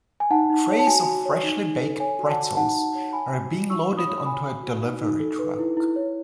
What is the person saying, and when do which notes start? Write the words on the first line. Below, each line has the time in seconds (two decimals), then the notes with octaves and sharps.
Trays of freshlybaked pretzels are being loaded onto a delivery truck.
0.20 G#5
0.31 D#4 F#5 A5
0.50 D#4
0.69 C#5
0.79 A5
0.87 F#4 G#5
1.07 F#4
1.26 C#5
1.43 D#4
1.63 D#4
1.81 A4
2.00 C#5 G#5
2.19 F#4
2.28 F#5 A5
2.37 F#4
2.57 D#4 F#5 A5
2.76 D#4
2.95 C#5
3.13 C#5 G#5 B5
3.32 F#4
3.52 F#4
3.69 D#4 C#6 E6
3.89 D#4
3.97 B5 D#6
4.07 C#5
4.26 C#5 G#5 B5
4.46 F#4
4.63 F#4
4.83 D#4
5.02 D#4
5.20 A4
5.39 B4
5.59 E4
5.77 E4
5.96 C#5